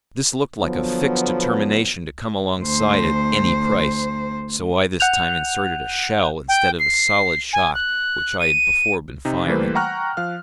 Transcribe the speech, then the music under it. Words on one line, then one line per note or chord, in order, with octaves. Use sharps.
This looked like a fixed determination to come alongside at any price, so I this time inserted a shell instead of a solid shot, which I had before been firing.
D3 F3 F#3 B3
D2 C5
F#5 F#6 G6 F7
G5
C7
G#5
F#6
D#7
C3 D#4
E3 G3 A3 A#3 B4 C5
F#5 G5 A#5 C#6 F6 F#6
F3 F5 F6